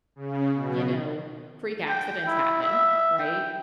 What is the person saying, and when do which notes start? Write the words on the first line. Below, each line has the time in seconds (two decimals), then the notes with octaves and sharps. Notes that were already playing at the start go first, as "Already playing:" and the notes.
you know, freak accidents happen right?
0.16 C#3
0.54 B2
1.88 G5
2.27 E4
2.63 E5
3.19 G5